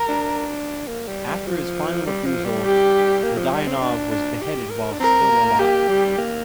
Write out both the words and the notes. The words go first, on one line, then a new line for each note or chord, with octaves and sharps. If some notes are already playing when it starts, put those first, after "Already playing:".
After his final refusal, Rodionov was beheaded while still alive.
Already playing: A#4
D4
A#3
G3
G3
F3
G3
F3
G3
G4
A#3
F3
G3
C4
D4
D4
G4
A#4
D4
C4 A#4
G3
A#3
A#3 G4
G3
A#3